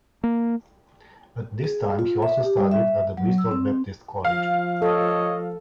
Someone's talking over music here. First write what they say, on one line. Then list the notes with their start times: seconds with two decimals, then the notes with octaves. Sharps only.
At this time he also studied at the Bristol Baptist College.
0.24 A#3
1.64 G#4
1.99 F4
2.22 E5
2.43 G4
2.57 G3
2.71 E5
3.17 F#3
3.38 E6
3.51 C4
4.25 F3 F5
4.82 A4 C#5 D#5